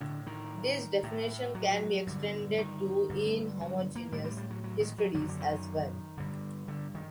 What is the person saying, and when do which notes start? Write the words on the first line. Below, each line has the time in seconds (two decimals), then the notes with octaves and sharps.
This definition can be extended to inhomogeneous histories as well.
0.01 A2 D3
0.27 D#3
1.03 A2
1.55 F#3
2.07 G2 D3
2.58 D#3
3.09 G2 D3
3.61 F#3
3.95 A#3
4.12 A2 G3
4.24 G3
4.37 G3
4.50 F#3
4.64 F#3
4.80 D#3
4.98 F#3
5.14 F#2 D3 F#3
5.29 D3
5.40 D#3
6.17 G2 D3
6.68 D3
6.95 D#3